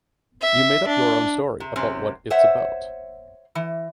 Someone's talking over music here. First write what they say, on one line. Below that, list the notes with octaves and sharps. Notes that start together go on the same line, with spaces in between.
You made up your own story about what it’s about.
E5
D4
C3
F#2 C3 C4 C#4
C5 C#5 E5 F#5
E3